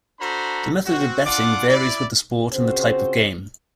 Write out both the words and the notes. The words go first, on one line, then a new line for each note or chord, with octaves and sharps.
The method of betting varies with the sport and the type of game.
D4 F#4 A4 C5 A#5 B5
C4 F#4
D4 F4 D5 F#5 D6
E4 D5
C#3 C4 F4 F#4 G#4 C5